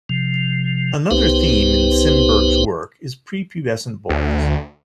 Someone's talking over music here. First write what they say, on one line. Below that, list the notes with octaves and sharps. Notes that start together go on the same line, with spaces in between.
Another theme in Simberg's work is pre-pubescent boys.
C3 F3
C2 B3 D#4 G4 B4 C5
D2